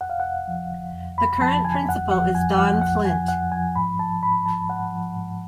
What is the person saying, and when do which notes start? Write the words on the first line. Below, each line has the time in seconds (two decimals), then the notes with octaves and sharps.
The current principal is Don Flynt.
0.01 F2 F#5
0.10 F5
0.20 F2 F#5
0.48 F3
0.71 D3
0.94 F2
1.18 F2 B5
1.41 F3 A5
1.65 D3 G#5
1.88 F2 F#5
2.11 F3 F#5
2.35 F2 G#5
2.58 F3 F#5
2.82 F2 F#5
3.05 F3 G#5
3.28 F2 F#5
3.52 F3 G#5
3.76 G#2 B5
3.99 F3 A5
4.22 G#2 B5
4.45 F3 A5
4.69 G#2 F#5
4.92 F3
5.16 G#2